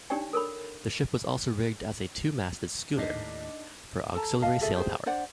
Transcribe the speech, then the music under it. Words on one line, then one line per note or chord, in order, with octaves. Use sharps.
The ship was also rigged as a two-masted schooner for auxiliary sail power.
D4 D#4 G4 C#5 D5 G5
A4 A#4 C#5 B5
D#2 A2 D4 D#4
A4 A5 A#5
D#5 F5 A5
F#4 G#4 A4 E5
G4 G#4 C5
D4 C5 D5 F#5